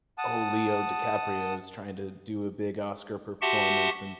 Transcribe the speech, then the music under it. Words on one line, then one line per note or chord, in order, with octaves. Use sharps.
"Oh, Leo DiCaprio is trying to do a big Oscar performance," and,
F#5 A5 D#6
F#4 G4 E5 F#5 A5 C6